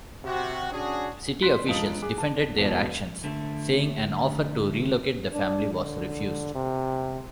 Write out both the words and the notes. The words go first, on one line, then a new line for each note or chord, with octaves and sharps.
City officials defended their actions, saying an offer to relocate the family was refused.
C3 F#4
C#4 D4 F#4 G#4
C6 F#6 B6
E1 F3 D#5 A5 D#6 D7
G#4 D6 F#6
A5
E1 B2 E3
D3 A3
D4
D3
C3